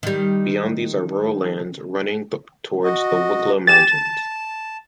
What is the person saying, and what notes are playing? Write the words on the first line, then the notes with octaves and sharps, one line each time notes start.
Beyond these are rural lands, running towards the Wicklow Mountains.
D#3 G3
F#4 D#5
G4 G#5 A6 E7
A5